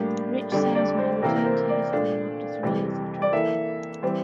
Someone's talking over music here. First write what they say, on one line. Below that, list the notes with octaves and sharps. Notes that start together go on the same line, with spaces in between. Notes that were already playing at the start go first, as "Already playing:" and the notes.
Rich salesman returned to his home after three years of travelling.
Already playing: A2 G3 A#3 D4 G4
F2 D3 G3 D5
D5
C5
C3 E3 A#3 E4 A#4
A#4
C5
D5
A#2 A3 D4
F2 C3 E3 G3
D5
E3 A#3 E4 A4 E5
E3 G3 C4